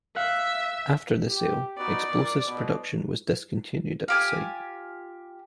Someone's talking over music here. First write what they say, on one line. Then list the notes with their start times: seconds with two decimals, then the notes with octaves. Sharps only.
After the sale, explosives production was discontinued at the site.
0.16 E5 F5 F#6
1.27 G4
1.77 B3 D#4 F#4 D5
2.10 A#2
2.45 B2
4.08 F4 G4 G#5